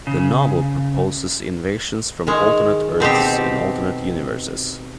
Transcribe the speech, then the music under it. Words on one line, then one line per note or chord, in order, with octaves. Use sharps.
The novel proposes invasions from alternate Earths in alternate universes.
C#3
D#3 G#3
B2 C4 D#4 G4